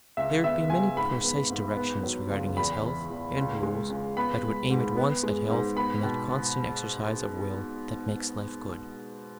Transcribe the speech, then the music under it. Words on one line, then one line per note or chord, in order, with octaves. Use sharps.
There would be many precise directions regarding his health, and rules that would aim at once at health and that constant exercise of will that makes life good.
C#2 E5
B3 E5
C#2 G#5
G#2 B5
B3
G#2
B3
F#3
C#2
E2 B5
E3
E2
C#2
G#3
C#2
B3 B5
G#3
G#2
B3
G#3
G#2
B3 B5
B2